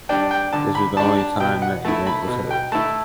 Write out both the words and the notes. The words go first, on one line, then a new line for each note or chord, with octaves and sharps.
This was the only time that event was held.
G3 D4 G5
G5
D3 A5
B5
G3 D4 A5
A5
B2 G5
F#5
A3 E4
B5
B2
G5
A3 E4 A5